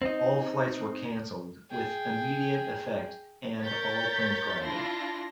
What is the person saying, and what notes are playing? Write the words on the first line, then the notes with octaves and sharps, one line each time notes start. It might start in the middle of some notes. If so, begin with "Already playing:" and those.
All flights were cancelled with immediate effect and all planes grounded.
C4 D#4
G#4 G5
A#4 C#5 G6 A6 B6
D4 E4 F4 C6 A#6